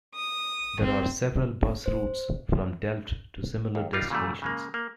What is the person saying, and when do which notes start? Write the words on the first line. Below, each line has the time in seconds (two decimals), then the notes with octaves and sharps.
There are several bus routes from Delft to similar destinations.
0.15 D#6
0.80 C4
1.86 C5
3.75 D#2
3.93 G3 D4 D#4 F4
4.10 A#2 C#3 E3 F#3 G3 A3
4.42 C#3 G#3 A#3
4.74 A#3